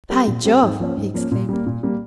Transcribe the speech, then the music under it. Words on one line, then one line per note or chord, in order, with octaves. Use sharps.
"By Jove!" he exclaimed.
G3 C4 G4 A#4
A#2
G3 C4 G4 A#4
G#2
F3 A#3 C#4
G#2
F3 A#3 C#4
A#2
G3 A#3
A#2
G3 A#3